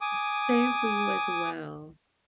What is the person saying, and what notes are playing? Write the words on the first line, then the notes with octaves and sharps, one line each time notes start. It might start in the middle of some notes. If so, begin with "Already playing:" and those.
Same for you as well.
G#5 D6 D#6